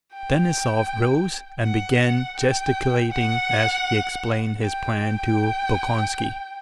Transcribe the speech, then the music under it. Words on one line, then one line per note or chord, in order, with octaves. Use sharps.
Denisov rose and began gesticulating as he explained his plan to Bolkonski.
G5
F#5
G5
F#5
G5